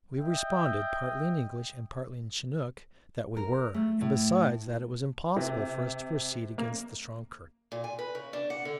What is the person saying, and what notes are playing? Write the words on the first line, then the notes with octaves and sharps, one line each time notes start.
We responded, partly in English and partly in Chinook, that we were, and besides that it was impossible for us to proceed against the strong current.
D#5 E5 G5
A#4
A3
A2
C3
A#3
A#2
G#5
B4
C#3
D4
F#5
D3